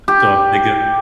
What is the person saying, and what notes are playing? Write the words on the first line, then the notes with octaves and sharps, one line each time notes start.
so I'm thinking
G4